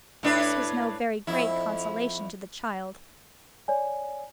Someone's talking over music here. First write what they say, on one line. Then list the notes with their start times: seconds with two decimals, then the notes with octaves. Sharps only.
This was no very great consolation to the child.
0.23 A2 D4 B4
1.27 F2 E4
3.68 C#5 D5 G#5